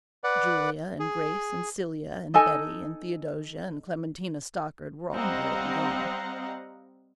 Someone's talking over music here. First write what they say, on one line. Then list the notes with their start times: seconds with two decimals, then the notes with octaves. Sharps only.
Julia and Grace and Celia and Betty and Theodosia and Clementina Stockard were all married and gone.
0.24 B4 D5 F#5
1.00 G#4
2.34 D#4 A4 D#5 G#5
5.14 G3 C4 D#5 F5 F#5 A#5